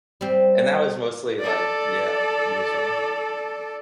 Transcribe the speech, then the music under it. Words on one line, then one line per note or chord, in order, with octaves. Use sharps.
And that was mostly, like Yeah, you were saying?
G3 C4
A4 D5